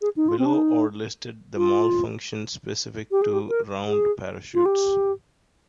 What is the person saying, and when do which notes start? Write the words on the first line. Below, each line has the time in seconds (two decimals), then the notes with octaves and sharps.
Below are listed the malfunctions specific to round parachutes.
0.01 G#4
0.16 D#4
0.28 F4
0.39 C4
0.46 D4
0.54 D#4
1.57 F4
3.11 G4
3.22 G#4
3.33 G4
3.49 A#4
3.88 G#4
4.54 F4
4.66 G4